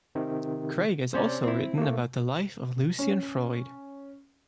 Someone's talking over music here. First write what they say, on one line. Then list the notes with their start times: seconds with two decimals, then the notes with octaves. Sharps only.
Greig has also written about the life of Lucian Freud.
0.15 C3 D#3
1.14 C3 C#4 C5 D5
1.44 C4 E4
1.78 A3 A#3
2.99 C#4